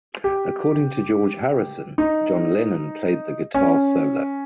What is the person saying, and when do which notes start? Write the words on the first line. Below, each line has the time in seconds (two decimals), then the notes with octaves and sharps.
According to George Harrison, John Lennon played the guitar solo.
0.24 G4
1.98 D#4
3.54 C#4